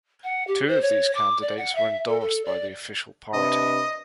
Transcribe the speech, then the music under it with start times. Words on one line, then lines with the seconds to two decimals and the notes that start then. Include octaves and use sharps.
Two of these candidates were endorsed by the official party.
0.24 F#5
0.47 G4
0.68 C5
0.81 C#5
1.15 D6
1.41 D5
1.57 F#5
1.75 E5
2.07 A4
2.20 A4
2.45 D5
3.34 C3 D4 B4 D#5